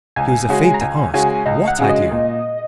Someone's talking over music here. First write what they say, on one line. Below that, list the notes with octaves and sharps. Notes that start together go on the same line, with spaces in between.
He was afraid to ask what idea.
C#2 G#5
C#3 G#3 C#4 F#4
A#5
C#2 G#5
C#3 G#3 C#4 F#4 G#5
C#2 D#5
F#5
C#3 G#3 C#4 F#4
D#5
A#2